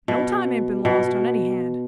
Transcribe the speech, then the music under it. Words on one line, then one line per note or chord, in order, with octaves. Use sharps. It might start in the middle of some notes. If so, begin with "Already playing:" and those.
No time ain't been lost, on any hand.
B2
B2